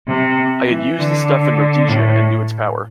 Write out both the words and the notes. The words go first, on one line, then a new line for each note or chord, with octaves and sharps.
I had used the stuff in Rhodesia and knew its power.
C3
E3
D3
A2